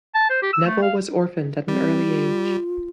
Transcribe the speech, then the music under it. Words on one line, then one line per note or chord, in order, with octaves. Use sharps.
Neville was orphaned at an early age.
A5
C5
G4
E6
A3
F5
G3 C4
F4